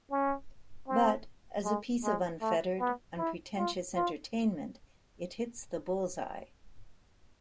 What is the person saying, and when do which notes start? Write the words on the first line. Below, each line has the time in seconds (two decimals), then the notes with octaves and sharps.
But, as a piece of unfettered, unpretentious entertainment, it hits the bullseye.
0.11 C#4
0.88 C4
1.65 G#3
2.04 G#3
2.41 A3
2.80 B3
3.18 E4
3.57 F4
3.96 F4